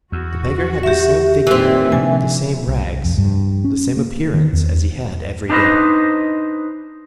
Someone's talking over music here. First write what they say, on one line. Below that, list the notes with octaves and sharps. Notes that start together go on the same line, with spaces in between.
The beggar had the same figure, the same rags, the same appearance as he had every day.
E2 F#4
G4 E5
A#2 D#3 E3 C4
C3 F3 D4 G#5
C2
F2
G2
C#4
A#3
D#3
E2
D4 D#4 B4 C5 D#5